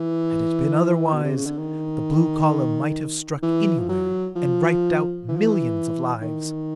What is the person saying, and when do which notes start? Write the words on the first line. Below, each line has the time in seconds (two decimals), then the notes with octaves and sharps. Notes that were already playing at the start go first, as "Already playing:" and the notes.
Had it been otherwise, the blue column might have struck anywhere, and wiped out millions of lives!
Already playing: E3
1.14 B2
1.24 C3
1.36 C#3
1.46 D3
1.58 D#3
3.42 E3
3.79 F3
3.89 F#3
4.36 F3
5.28 E3
5.36 F3
5.44 E3
6.21 D#3